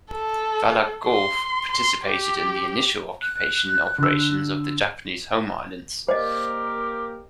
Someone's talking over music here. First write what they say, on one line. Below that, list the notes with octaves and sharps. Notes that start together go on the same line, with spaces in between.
"Vella Gulf" participated in the initial occupation operations of the Japanese home islands.
A4
C6
C6
G4
F#6
D3 E6
A#3 G4 A#4 C5 D5 D#5